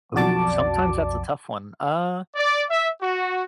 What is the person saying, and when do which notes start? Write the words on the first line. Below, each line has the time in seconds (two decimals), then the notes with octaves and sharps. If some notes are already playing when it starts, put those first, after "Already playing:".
Ooh, sometimes that's a tough one, uh,
0.14 B1 F2 F#4 D5 A5 D6
2.36 D5
2.70 E5
3.01 F#4